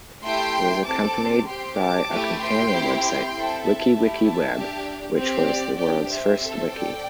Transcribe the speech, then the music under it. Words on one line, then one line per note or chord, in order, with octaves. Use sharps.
It was accompanied by a companion website, WikiWikiWeb, which was the world's first wiki.
A3 E4 G4 G5 C6
C4 A4 A5 D6
C4 G4 G5 C6
A5 D6
A3 E4 G4
G5 C6
C4 E4 G4
G5 C6
C4 E4 A4
E5 A5
A3 E4 G4
E5 A5
D4 G4
C4 G4
D5
D4 G4 D5 G5
C5 E5
C4 A4
D5 G5